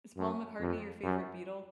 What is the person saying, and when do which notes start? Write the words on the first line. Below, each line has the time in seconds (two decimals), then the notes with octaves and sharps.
Is Paul McCartney your favorite Beatle?
0.17 F#2
0.60 F2
1.03 F#2